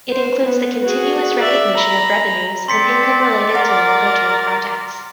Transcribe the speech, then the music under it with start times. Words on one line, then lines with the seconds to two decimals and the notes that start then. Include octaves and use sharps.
It includes the continuous recognition of revenues and income related to longer-term projects.
0.11 C5
0.44 B3
0.84 F#4 G#4
1.39 D5 E5
1.77 A#5 B5
2.68 C4 D5 C6 B6 C#7
3.55 A#4 F#5